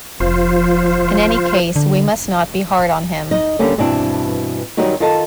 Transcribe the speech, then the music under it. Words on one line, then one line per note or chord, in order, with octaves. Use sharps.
In any case we must not be hard on him.
F1 F3 F4 C5
D3
D#4 D#5
D3 G3 A#3 C#4
G2 B2 E3 C4 D4 E4
F#2 D#3 F#3 G3 D#4 F#4
D#3 F4 A4 D#5 A5